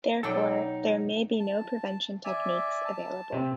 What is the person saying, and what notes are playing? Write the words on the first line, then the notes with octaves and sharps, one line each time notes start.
Therefore, there may be no prevention techniques available.
B2 F#3 D#4 A4 D5 G5
A5
D5 E5 G#5
A5
C3 C4